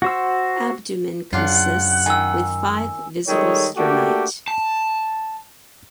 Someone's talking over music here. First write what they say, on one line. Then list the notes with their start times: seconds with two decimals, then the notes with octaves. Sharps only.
Abdomen consists with five visible sternite.
0.02 F#4 C5 E6
1.33 F#2 C#3 D4 F4 F#5
2.06 D#3 G#5 E6
3.27 D#3 G3 G#3 A4 C#5
3.77 A3 A#3 D4 F#4 G4
4.48 A5